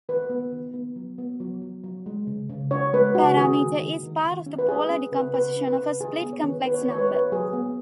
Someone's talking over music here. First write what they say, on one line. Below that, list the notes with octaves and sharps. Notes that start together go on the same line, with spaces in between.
This parameter is part of the polar decomposition of a split-complex number.
D#3 B4
B3
D#3
B3
F#3
B3
F#3
F#3
F#3
G#3
C#3
C#3
C#4 C#5
G#3 B4
C#3 F#4
D#3 G#4
D#3
D#3
D#3
D#3
C#4
B4
C#4 G#4
C#4
C#3 B4
C#3 B4
C#4
B4
C#3
D#3 G#4
G#4
B3
C#5
D#3
B4
B3 B4
C#5
B4
D#3 C#5
B4
B3 C#5
B4
F#3 G#4
B3